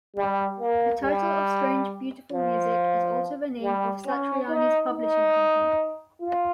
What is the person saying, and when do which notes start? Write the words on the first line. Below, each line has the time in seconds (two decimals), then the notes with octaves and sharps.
The title of "Strange Beautiful Music" is also the name of Satriani's publishing company.
0.16 G3
0.60 A#3
1.02 G3
2.32 F3
3.62 G3
4.06 C#4
4.48 D#4
4.91 D#4
6.21 F4